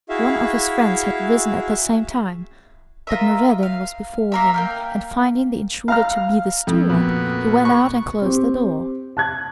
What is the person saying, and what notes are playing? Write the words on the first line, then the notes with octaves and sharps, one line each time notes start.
One of his friends had risen at the same time, but Noureddin was before him, and finding the intruder to be the steward, he went out and closed the door.
E4 F#4 G#4 E5 F5
F4 A#4 D#5 E5
F5
A#3 A#4 E5
A#3 G5 F6
F5 A#5 F6
F2
A#2 B3 F#4
C#6
C4 G4
A5 F#6 G#6